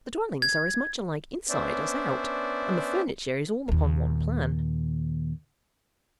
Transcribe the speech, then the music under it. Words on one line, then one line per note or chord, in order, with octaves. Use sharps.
The dwellings are as much alike inside as out, and the furniture is all upon one plan.
G#6
B3 C#4 D4 C5 D5 E5
D#2 A#2